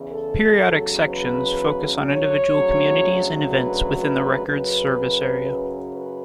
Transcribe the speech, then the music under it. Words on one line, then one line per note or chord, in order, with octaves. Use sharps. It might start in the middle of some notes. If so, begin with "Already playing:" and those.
Periodic sections focus on individual communities and events within the Record's service area.
Already playing: E2 C#3 E3
A4
E2 C#3 F#3
B4
C#5
D2 C#3 F#3
B4
B4
F#2 C#3 F#3 B4
B4